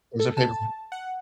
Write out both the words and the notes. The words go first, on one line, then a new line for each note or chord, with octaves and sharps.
Or is it pay-per-view?
A4
A5
F#5